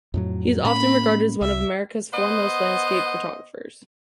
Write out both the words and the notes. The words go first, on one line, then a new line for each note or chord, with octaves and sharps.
He is often regarded as one of America's foremost landscape photographers.
F2 A2 F#3
A2 A#3 C#4 B5
C2 E5
B3 C5 D#5 F#5